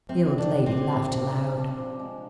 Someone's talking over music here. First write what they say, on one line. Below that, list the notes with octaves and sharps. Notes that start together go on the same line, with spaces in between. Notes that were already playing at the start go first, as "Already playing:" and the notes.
The old lady laughed aloud.
C3 C4
G4
D4
G3
C4
G4
C3
D4
G3
D4
F3
G#3